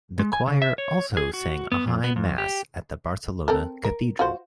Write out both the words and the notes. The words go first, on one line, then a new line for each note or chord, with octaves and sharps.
The choir also sang a high mass at the Barcelona Cathedral.
G#3
G#5
C#3
E5
C#5
G#4
F#4
B3
F2
B3
F2
G4
C4 A4 A#4
A#4
F4 F#4 C5